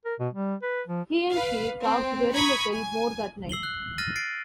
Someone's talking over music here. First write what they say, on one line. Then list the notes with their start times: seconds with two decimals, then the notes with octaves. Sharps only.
He and she talked very little more that night.
0.05 A#4
0.19 B2
0.33 G3
0.63 B4
0.87 F3
1.30 B4 F5
1.82 C4
2.33 A#5 B5 C#6 D#6 G#6
2.69 G#5
3.49 E6 C7 F#7 G7
3.63 F#6
3.98 F6 A6 A#6 D#7
4.16 A6 C7 D7